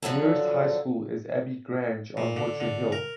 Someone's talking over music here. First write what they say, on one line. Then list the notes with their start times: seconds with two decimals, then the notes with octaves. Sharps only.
The nearest high school is Abbey Grange on Butcher Hill.
0.03 D3 F3 F#3 A4
2.17 A#2
2.36 D3
2.60 D3
2.92 A#4